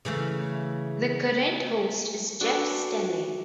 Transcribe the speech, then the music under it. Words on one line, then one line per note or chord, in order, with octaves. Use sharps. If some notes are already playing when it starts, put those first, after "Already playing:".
The current host is Jeff Stelling.
C#3 E3 A3
D4 F#4 A4 B4